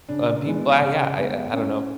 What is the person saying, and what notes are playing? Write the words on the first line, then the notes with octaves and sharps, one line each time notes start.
and people uh, yeah, I I I don't know.
C#3 D4
E3 G#3 B3
C#3
G#3 B3
A2 C#4